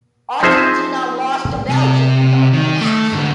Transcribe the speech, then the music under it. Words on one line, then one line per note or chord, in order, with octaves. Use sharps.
Argentina lost to Belgium in the opening match.
F3 C4 D#4 G#4 C5 E5
C3
D#3
A3
G#2 D3